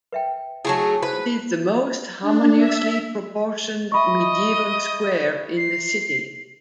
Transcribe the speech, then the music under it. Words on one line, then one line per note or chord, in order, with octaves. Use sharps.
It is the most harmoniously proportioned medieval square in the city.
B4 E5 G5
F#3 A3 E4 G#4 A5
E4 B4 C5
D4
E5
D#5 E5 B5 C#6
C7